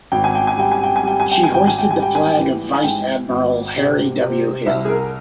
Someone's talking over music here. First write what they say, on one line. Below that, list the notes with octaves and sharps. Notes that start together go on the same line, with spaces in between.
She hoisted the flag of Vice Admiral Harry W. Hill.
G#1 G5
G#5
G5
G#5
G3 G5
G#5
G5
G#5
G3 G5
G#5
G5
G#1 G#5
G5
G#5
G5
G3 G#5
G5
G#5
G5
E3
G#5
G#2 G5
G#1
C3
C3
C2 E5
G#4
A#4